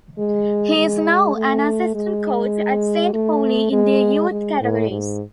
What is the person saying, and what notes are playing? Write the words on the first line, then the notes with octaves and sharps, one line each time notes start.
He is now an assistant coach at Saint Pauli in their youth categories.
G#3
G#3
A3
G#3
A3
G#3
G#3
A2
G#2